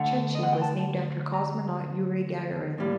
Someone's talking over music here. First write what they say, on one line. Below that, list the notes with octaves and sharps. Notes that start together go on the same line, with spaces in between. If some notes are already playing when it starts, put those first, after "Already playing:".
Chechi was named after cosmonaut Yuri Gagarin.
Already playing: D2 D3 A3 F#5
D#5
F#5
G5
A5
A#5
A2 G3 A#3